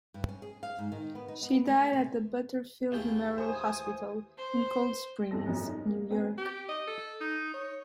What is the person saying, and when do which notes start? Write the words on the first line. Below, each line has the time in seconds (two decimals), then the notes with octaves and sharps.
She died at the Butterfield Memorial Hospital, in Cold Springs, New York.
0.14 G2
0.29 C#4
0.42 G#4
0.63 F5
0.78 G#2
0.92 D#3
1.15 B3
1.28 D#4
1.43 B3
1.67 A3
1.93 C3
2.92 D#2 E3 A3 F4 G#4 G5
3.38 C5 G#5 D#6
4.38 C5
5.31 G#1 E2 B2 A4 A#6
5.46 F#2 B2 F3 G3
5.68 D#4
5.86 A#3
6.10 B2 C4 B4 G#5
6.38 G4
6.69 D#5
6.87 A4
7.21 D#4
7.54 C#5